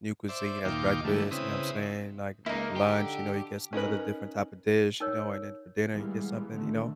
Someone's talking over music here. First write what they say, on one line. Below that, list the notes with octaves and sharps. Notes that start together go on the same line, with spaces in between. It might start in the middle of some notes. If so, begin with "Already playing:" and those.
new cuisine as breakfast, you know what I'm saying? Like, for lunch, you know, you get some other different type of dish, you know? And then for dinner, you get something, you know?
C5 D5 E5
D#2 A#2 D#4 F4 G5 D6
D3 E3 G3 A3
C#3 C4 E4 B4 D#6
C#2 A#3 D#4 E4
D3 G4
C#4 D#4 A#4 B4
D#4 A#4 C#5
E3 G3 G#3 A#3 B3
A#2 D3 D#3 A3